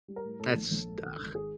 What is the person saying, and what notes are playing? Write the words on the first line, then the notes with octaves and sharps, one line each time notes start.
That's ugh.
G3
A#4
A2
A2 A4
A#1
A#1
G#2
G#1
G#1
G#4